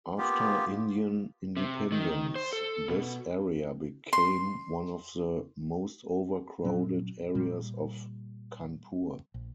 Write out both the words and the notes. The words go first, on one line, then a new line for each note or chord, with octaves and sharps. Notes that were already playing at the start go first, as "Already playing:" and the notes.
After Indian Independence, this area became one of the most overcrowded areas of Kanpur.
A#3 B3 F4 G4
C3
D#3
C5
A4
B2
C6
A#2 F#3 C#4
A#2 G3
A#1